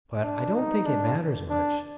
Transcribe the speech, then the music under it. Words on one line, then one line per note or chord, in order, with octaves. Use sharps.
"But I don't think it matters much."
D4
D#4
D4
D4